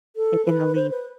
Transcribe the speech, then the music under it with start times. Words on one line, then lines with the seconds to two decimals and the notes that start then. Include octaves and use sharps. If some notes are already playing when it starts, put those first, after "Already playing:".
taking the leap.
0.16 A4
0.45 B4
0.75 C5
0.90 B4